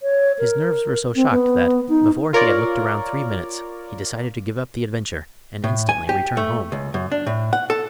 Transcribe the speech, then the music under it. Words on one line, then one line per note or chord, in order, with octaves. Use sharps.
His nerves were so shocked that before he had looked around three minutes he decided to give up the adventure, and instantly returned home.
C#5
A#4
C4
B3
D#4
F4 A#4 C#5 D5
A2
G#5
G4
A3
C#2
F#2
D4
A2
F#5
A4